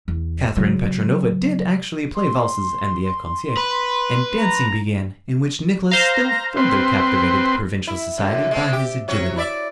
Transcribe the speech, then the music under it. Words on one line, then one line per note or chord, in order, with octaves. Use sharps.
Catherine Petrovna did actually play valses and the ecossaise, and dancing began in which Nicholas still further captivated the provincial society by his agility.
E2
C#3 F#3
C6
B4
A#5
C5 F5 A#5
C4 B4 C6
E4
F#2 B2 D3
G#3 A3 C4
G4
C3 F#3 C#5
E4 D5 E5